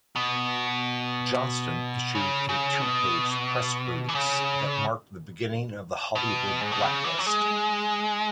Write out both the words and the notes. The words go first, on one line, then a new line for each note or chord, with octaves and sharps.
Johnston issued a two-page press release that marked the beginning of the Hollywood blacklist.
B2
C#3
C#3
B2
E3
C#3
B2
G#2
B2
C#3
E3
F#3
G#3